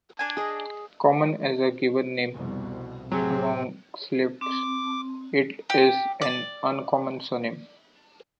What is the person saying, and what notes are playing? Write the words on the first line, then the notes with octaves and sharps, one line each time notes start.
Common as a given name among Slavs, it is an uncommon surname.
D4 G#5
G#4 D#5
C2 F2 B2
A2 C3 F#3 C4 G#4
C4 D6
G4
D5